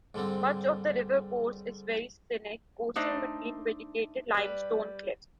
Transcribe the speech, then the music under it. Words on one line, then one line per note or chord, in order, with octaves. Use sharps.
Much of the river's course is very scenic, coursing between vegetated limestone cliffs.
G#2 D3 G3 C4
A3 D4 D#4 C5 E5
G3 B4